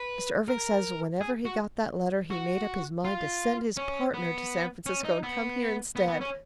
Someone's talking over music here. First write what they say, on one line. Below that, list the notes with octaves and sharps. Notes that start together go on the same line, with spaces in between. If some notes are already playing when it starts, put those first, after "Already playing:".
Mr. Irving says whenever he got that letter he made up his mind to send his partner to San Francisco and come here instead.
Already playing: B4
A#4
G#4
F#4
F#4
F4
C#4
B3
C#4
D#4
B3
B3
B3
C#4